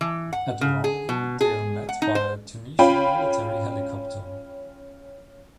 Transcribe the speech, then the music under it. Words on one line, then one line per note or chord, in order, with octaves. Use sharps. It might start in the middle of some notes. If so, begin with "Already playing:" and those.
At the rendezvous they are met by a Tunisian military helicopter.
E3
F#5
C#3
G#4
B2
G#4
F#5
D#4
C5
C#4 F4 G5 B5